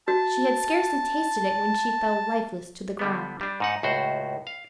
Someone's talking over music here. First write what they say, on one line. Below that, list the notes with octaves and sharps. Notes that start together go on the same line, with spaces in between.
She had scarcely tasted it, when she fell lifeless to the ground.
F#4 A5
D3 G3 B3
G3 D4
G#2 D#4 F#5
C#2 A2 F#4 C5
F5